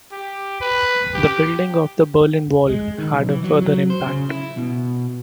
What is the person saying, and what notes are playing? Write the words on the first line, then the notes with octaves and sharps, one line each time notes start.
The building of the Berlin Wall had a further impact.
G4
B4
G4
G#3
D#3
B1
E3
F#3
F#3
C5
C#3
E4
B2